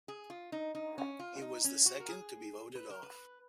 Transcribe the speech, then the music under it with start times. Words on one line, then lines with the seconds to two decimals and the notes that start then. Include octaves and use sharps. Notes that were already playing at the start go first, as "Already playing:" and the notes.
He was the second to be voted off.
0.08 G#4
0.30 F4
0.52 D#4
0.75 D#4
0.98 C#4
1.20 F4
1.42 D#4
1.64 C#4
1.86 F#4
2.00 A#4
2.09 G#4
2.75 B4
2.90 A#4
3.03 B4